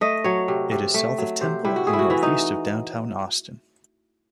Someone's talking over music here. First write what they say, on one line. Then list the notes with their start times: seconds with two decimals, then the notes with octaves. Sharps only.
It is south of Temple and northeast of downtown Austin.
0.01 A3 D#5
0.24 F#3 C#5
0.48 C3
0.71 C3
0.94 A3
1.18 F#3
1.41 C3 C5
1.65 C3 E4
1.76 F#4
1.87 A3 G#4
1.93 E4
1.99 F#4
2.10 E3 E4
2.23 D#4